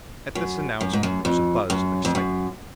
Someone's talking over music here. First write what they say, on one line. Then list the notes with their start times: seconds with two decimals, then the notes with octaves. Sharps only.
At this announcement there was a buzz of excitement.
0.35 F#2
0.81 F#2
0.93 G#2
1.03 F#2
1.25 F2
1.70 F#2
2.05 F2
2.15 F#2